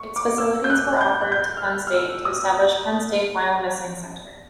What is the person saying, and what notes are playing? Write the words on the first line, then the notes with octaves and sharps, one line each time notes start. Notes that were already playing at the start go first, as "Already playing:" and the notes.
Its facilities were offered to Penn State to establish Penn State Wyomissing Center.
Already playing: C#6
D6
E6
G6
F#6
G6
F#6
G6
F6
F#6
F6
E6
D#6